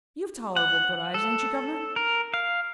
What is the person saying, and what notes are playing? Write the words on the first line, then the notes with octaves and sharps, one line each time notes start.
'You've tolerable good eyes, ain't you, Governor?
F#5
A4
A#4
F5